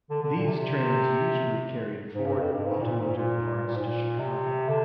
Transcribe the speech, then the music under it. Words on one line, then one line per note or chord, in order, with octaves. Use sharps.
These trains usually carried Ford automotive parts to Chicago.
D3
D3
A#2
C3
G#2
G2
F2
G2
G#2
A#2
G#2
A#2
A#2
G#2
A#2
C3
D3